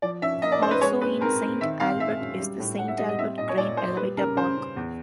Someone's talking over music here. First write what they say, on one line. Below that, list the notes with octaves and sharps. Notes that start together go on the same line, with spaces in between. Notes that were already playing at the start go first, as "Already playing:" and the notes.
Also in Saint Albert is the Saint Albert Grain Elevator Park.
F3 D5
C#4 E5
A#3 D#5
D5
C#4 C5
B4
G#3 C#5
C4 B4
C4 A#4
C4
D#3 E5
C4 F5
G#3 E5
F#2
G3
A2
A2 F#5
E5
G3 D#5
D#5
C4 E5
A#2 D#5
C#5
A#2 D5
A#2 C5
G3 B4
C#3 A#4
C#3 C5
C#3
E2